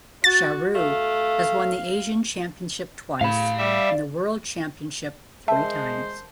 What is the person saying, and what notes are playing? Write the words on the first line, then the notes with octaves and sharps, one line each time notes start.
Chiharu has won the Asian championship twice and the world championships three times.
F#4 A6
A3 F5
A2 F5 B5
G3 D5 E5
G#3 A#4 C5 E5 A5